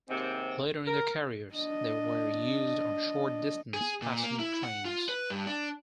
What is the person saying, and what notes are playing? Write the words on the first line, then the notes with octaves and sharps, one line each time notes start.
Later in their careers, they were used on short distance passenger trains.
D#2 G#2 C3 C4
A#4
D4 D#5
G#4
A#2
A#3
E4
F#5
F4
B4
G2
D4